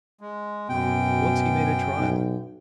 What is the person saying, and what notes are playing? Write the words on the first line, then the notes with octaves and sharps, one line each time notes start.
Once he made a trial.
G#3
F#2 B2 G5
B1